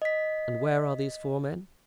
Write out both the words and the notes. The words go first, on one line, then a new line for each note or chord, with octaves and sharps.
"And where are these four men?"
D#5 B6